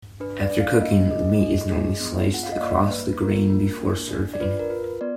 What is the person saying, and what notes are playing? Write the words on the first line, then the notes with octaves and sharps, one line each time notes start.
After cooking, the meat is normally sliced across the grain before serving.
D4 B4
D5
D4
F5
A#3 D#5
G#4 D#5
D4
G#4
B3
F4 F#5
F5
D#5
A#3 D5
A#3 B4
F4 A#4
A#3
D4
D4
D5
F4 B4
A#4
F4 B4
B3 D5